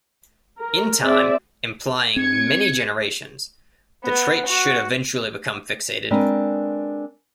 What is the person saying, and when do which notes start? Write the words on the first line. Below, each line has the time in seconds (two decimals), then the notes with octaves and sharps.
In time, implying many generations, the trait should eventually become fixated.
0.58 A#4
1.03 C4 G#4 D5 E5
2.16 C4 G#6 C#7
4.04 B3
4.46 F#4
6.10 G#3 C4 D4 A#4 B4 D#5